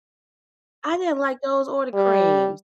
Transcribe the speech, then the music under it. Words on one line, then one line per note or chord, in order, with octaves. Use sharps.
I didn't like those or the creams.
G3